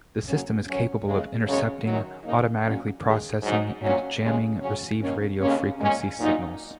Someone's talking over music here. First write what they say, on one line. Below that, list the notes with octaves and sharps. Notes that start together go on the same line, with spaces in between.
The system is capable of intercepting, automatically processing and jamming received radio frequency signals.
C#3 F#3 A#3 C#4
F#2 F#3 C#4
D#2 C#3 G#3
F#2 C#3 G#3 C#4
F#2 D#3 F#3
C#3 A#3 D#4
A#2 F#3 C#4
D#2 D#3 G#3
G#2 F#3 D#4
A#2 F#3 C#4
D#2 C#3 G#3 C#4
C#3 F#3 C#4
D#2 D#3 A#3 C#4
D#2 C#3 A#3 C#4
A#2 G#3 C#4
A#2 F#3 D#4